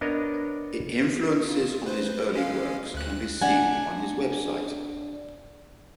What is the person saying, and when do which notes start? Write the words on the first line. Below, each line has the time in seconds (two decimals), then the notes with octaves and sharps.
Influences on his early works can be seen on his website.
0.01 B3 D4 A#4 C#5 D#5
1.49 F4
1.86 B4 C5
2.34 G#3 C#4 F5
2.94 D2 F#6
3.42 D4 F#5 G#5